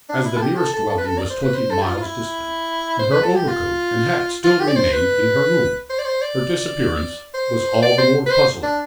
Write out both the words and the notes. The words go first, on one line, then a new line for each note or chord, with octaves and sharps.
As the nearest dwelling was twenty miles distant, and her overcoat and hat still remained in her room, her disappearance was all the more puzzling.
D4
E4
A4
G4
A4
A4
A4
B4
A4
D5
C5
B4
C5
A4
G4
F4
F4
E4
C5
B4
A4
G4
F4
F4
G4
D5
C5
B4
C5
D5
C5
D5
C5
D5
C5
B4
C5
D4